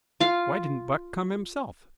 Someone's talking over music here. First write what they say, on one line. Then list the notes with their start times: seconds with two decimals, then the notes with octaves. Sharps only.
"Why didn't Buck come himself?"
0.20 F4 F5